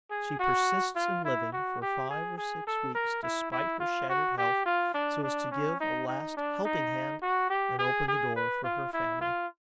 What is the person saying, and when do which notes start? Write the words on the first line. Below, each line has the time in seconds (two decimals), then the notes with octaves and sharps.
She persists in living for five or six weeks, despite her shattered health, so as to give a last helping hand and open the door for her family.
0.10 G#4
0.39 F#4
0.95 F4
1.25 E4
1.52 F#4
1.82 G4
2.10 G#4
2.38 G#4
2.67 A4
2.95 A#4
3.23 E4
3.52 E4
3.80 F4
4.09 F#4
4.38 G4
4.66 F4
4.94 D4
5.23 D4
5.51 C#4
5.80 D#4
6.08 D#4
6.37 D4
6.65 D#4
7.22 F#4
7.50 G4
7.78 G#4
8.08 G#4
8.36 B4
8.64 F4
8.93 E4
9.21 F4